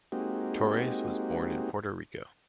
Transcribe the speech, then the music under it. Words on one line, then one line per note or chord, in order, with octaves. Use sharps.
Torres was born in Puerto Rico.
G#3 A#3 C4 D#4 F#4 G4